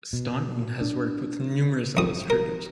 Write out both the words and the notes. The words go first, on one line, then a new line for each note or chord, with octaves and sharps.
Staunton has worked with numerous illustrators.
B2
D4
F2 D#6
A#4